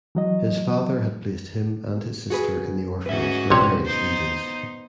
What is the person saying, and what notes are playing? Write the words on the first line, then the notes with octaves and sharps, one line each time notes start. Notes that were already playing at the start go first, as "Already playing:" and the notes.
His father had placed him and his sister in the orphanage for various reasons.
E3 F#3 D#5
F#4 G#4 B4
G#2 C#4 F#4 B4 E5
A#1 C3 B4 C#5
B3 D#4 C5